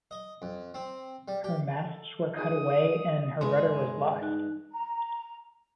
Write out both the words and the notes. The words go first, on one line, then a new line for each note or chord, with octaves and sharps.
Her masts were cut away and her rudder was lost.
D#5
F2
C4
G3
G4
A4
D#4 F4 G#4 D#6
G2 E3 G#3 E4 G#4 B4 G#5 C6
D#4 F#6
A#5